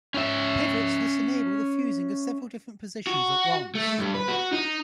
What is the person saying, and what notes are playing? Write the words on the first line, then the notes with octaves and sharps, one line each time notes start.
Pivots thus enable the fusing of several different positions at once.
C#4 E5
F#4
A3
G2
B4
F#4
D#4